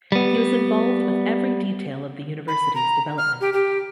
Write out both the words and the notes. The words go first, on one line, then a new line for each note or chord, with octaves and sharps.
He was involved with every detail of the university's development.
G3 B3
B5
A#5
F6
G4
G4